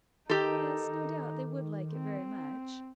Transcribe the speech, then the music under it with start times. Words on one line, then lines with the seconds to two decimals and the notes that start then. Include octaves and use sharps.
"Yes; no doubt they would like it very much."
0.29 D#3 D#4 G4 A4
1.92 C4